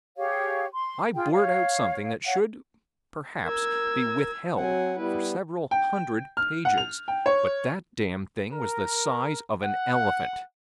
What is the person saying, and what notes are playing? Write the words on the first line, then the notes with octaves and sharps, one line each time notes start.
I blurt out something that should, perhaps, be withheld for several hundred pages--but that damned thing was the size of an elephant.
G4 G#4 C#5 F5
C6
F4 G#4 G5
C#5 F5
C#5 F5 F#5
A#4 E6 G#6
F#3 C4 F#5 G#5
G3 B3 E4 B4
G5
F6
F#5
F7
G5
C#5
A#4
F#5